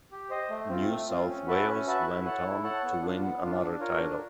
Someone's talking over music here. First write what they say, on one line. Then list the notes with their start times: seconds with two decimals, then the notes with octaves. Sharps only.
New South Wales went on to win another title.
0.12 G4
0.30 C5 D#5
0.49 A3
0.69 C4 F4
0.89 A3
1.08 C4 F4
1.27 C#4
1.47 F#4 B4 E5 A5
1.67 C#4
1.86 F#4 B4 E5 A5
2.05 E4
2.24 A4 C#5 F#5 A5
2.44 E4
2.63 A4 C#5 F#5 A5
2.83 B3
3.02 D4 F4
3.21 B3
3.41 D4 F4
3.61 D4
3.79 F4 A#4 C#5
3.98 D4